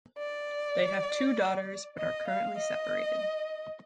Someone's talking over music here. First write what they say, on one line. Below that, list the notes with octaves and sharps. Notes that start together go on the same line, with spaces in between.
They have two daughters but are currently separated.
D5
D#5
F5
D#5